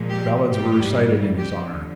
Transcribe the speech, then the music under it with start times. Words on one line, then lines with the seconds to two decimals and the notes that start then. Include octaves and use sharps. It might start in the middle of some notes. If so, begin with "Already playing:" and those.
Ballads were recited in his honour.
Already playing: A#2 F3 G#3
0.09 G4
0.52 G#2 E3 G3 G4
1.37 F2 D3 F3 G4